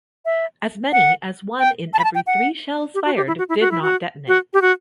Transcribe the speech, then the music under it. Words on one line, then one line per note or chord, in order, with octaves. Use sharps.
As many as one in every three shells fired did not detonate.
E5
F#5
G5
A5
B5
A5
G5
F#5
G4
F#4
G4
E4
F#4
E4
F#4
E4
F#4
F#4
G4
F#4